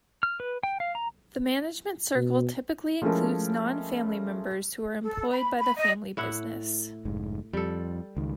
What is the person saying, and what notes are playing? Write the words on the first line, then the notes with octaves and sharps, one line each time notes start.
The Management circle typically includes non-family members who are employed by the family business.
F6
B4
G5
F5
A#5
B2
F3 G#3 A3 C#4 E4 A#4
A4
B5
B5
D#5
A2 E4 F#5
F1 G#2
F2 G3 A4
C#2 D#3